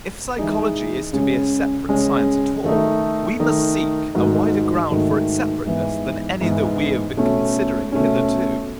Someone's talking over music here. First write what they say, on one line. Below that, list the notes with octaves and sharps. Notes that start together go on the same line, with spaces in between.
If psychology is to be a separate science at all, we must seek a wider ground for its separateness than any that we have been considering hitherto.
E3 G#3 D#4 G#4
C#3 G#3 C#4
C#3 G#3 C#4
D#3 A3 D#4
D#3 A3 D#4
G#2 D#3 A3 D#4 F#4
G#2 D#3 A3 D#4 F#4
G#2 E3 B3
G#2 E3 B3
B2 A3 C#4
B2 A3 C#4